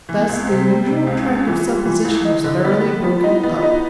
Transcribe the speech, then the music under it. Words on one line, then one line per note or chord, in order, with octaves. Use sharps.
Thus the usual track of supposition was thoroughly broken up.
E3
B3
C#2
C4
C3
G3 C4
C3
C4
C#2
C#4
C#2
E3 F4
G3
F4
E3
E4
C#2
D#4
D3
B3
G3
B3 F4
D#4 F4
E4
B3
F4
D#4
E4